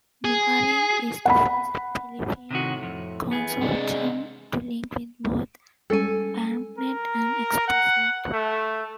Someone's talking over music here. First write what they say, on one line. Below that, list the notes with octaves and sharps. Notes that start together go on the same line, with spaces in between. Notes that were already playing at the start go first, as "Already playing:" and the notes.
MegaLink is the first Philippine consortium to link with both BancNet and Expressnet.
G#4
F#5 B5
A2 C3 D#3 F#4
F2
E3 B3 G#4
C3 G#3 D4
G3 G#3 C#4 A4 G#5
A#4
F#5
A3